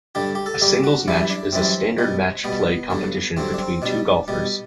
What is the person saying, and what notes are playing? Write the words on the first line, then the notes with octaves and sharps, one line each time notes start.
A singles match is a standard match play competition between two golfers.
G2 D3 G3 G4
G4
A4
G2 D3 G3 G4
F#4
F#2 E3 G3 E4
D4
F#2 E3 G3 C4
B2 G3
B2 G3 B3
G2 D3 F#3
G2 D3 F#3 C4
D4
C4
B2 G3 D4
B2 G3